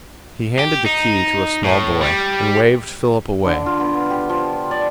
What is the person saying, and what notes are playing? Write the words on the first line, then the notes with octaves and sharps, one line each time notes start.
He handed the key to a small boy and waved Philip away.
G4
D#4
A2
G3
D3
F4
B3
G4
F3
D5